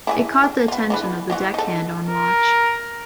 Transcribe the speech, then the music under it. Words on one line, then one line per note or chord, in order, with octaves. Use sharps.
It caught the attention of the deckhand on watch.
E4 F#4 G#4
D4
B3 F4
D3 E3 B4
E3 F4 F#4
D#4 A4
A#4